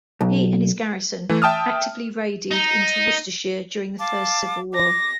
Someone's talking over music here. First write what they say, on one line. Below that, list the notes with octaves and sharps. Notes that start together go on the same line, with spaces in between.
He and his garrison actively raided into Worcestershire during the First Civil War.
B1
E3 A3
E5 G5 A5 D#6 F6
D#4
F5 A5 D6
D6 A#6